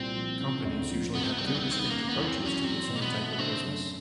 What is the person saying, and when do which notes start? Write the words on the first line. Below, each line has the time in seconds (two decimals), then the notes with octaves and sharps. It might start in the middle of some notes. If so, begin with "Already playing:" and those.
Companies usually have two distinct approaches to this new type of business.
Already playing: C2 A#2 C4
0.16 F3
0.40 C#3
0.65 D2
0.90 F3
1.15 C3 B3
1.23 C4
1.31 B3
1.38 C2 C4
1.47 B3
1.54 C4
1.63 D#3 B3
1.71 C4
1.79 B3
1.89 C#3 A#3
2.09 B3
2.15 E2 C#4
2.27 C4
2.39 F#3
2.46 C#4
2.64 F#3 C4
2.89 B2
2.96 A#3
3.02 B3
3.14 A3
3.39 D3 C4
3.63 F#2